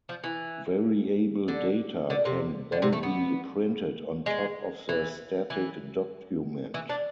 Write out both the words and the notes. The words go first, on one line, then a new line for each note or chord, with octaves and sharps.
Variable data can then be printed on top of the static document.
F3
E3
D3
D3
C3
D3
C3
A3
B3
G#3
E3
E3
E3
D4